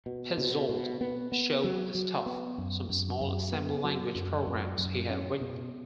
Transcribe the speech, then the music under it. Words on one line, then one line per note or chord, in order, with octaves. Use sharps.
Petzold showed the staff some small assembly-language programs he had written.
B2
B2
B2
B3
B3
F#3
F#3
B3
F#2
F#2
F#2
B3
F#3
F#2
F#2
F#2
C#4
B2